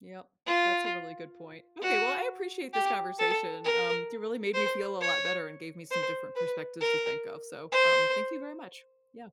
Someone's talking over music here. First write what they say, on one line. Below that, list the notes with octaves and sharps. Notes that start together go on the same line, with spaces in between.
Yep. That's a really good point. Okay. Well, I appreciate this conversation. Um, you really made me feel a lot better, and gave me some different perspectives to think of. So, um, thank you very much. Yeah.
F4
F#4
G4
A4
A#4
C5
C#5
C5
B4
A#4
C5